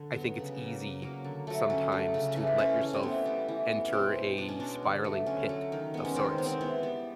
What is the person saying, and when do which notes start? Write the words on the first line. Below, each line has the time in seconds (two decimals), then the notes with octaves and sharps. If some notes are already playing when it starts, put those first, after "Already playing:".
I think it's easy sometimes to let yourself enter a spiraling pit of sorts
Already playing: D3
0.13 F#3 B3
0.35 C#3
0.58 F#3 A#3
0.80 C#3
1.02 F#3 A#3
1.24 D3
1.47 F#3 A3
1.70 D3 C#4
1.92 F#3 A3
2.14 C#3
2.36 E3 A3
2.58 C#3 C#4
2.81 E3 A3
2.93 C4
3.03 E3 B3
3.26 G3 B3
3.48 E3
3.70 G3 B3
3.87 C#4
3.93 B2 C4
4.15 G#3 B3
4.37 B2 D4
4.49 C#4
4.59 G#3 B3 D4
4.83 D3
5.04 F#3 A3
5.26 D3 C#4
5.49 F#3 A3
5.72 D#3
5.94 G#3 B3
6.05 C#4
6.16 D#3 C4
6.38 G#3 B3
6.46 C4
6.61 E3 B3
6.83 G3 B3